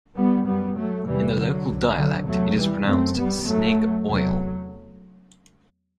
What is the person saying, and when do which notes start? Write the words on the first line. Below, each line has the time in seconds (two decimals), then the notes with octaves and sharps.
In the local dialect it is pronounced 'snig oil'.
0.17 G3 B3
0.47 F#2 G3 B3
0.77 F#3 A3
1.07 E2 C3 E3 G3
1.37 D3 F#3
1.67 C2 B2
1.97 D3 F#3
2.27 E2 C3 F#3 A3
2.57 E3 G3
2.87 F#2 A3 C4
3.17 G3 B3
3.47 F#2 F#3 A3
4.07 E2 C3 F#3 A3